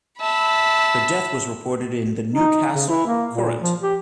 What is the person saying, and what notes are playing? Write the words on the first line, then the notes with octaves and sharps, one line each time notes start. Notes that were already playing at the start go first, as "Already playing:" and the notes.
Her death was reported in the "Newcastle Courant".
E5 A5 B5
D#4
C#3
E4
A#3
A#2
F3
G4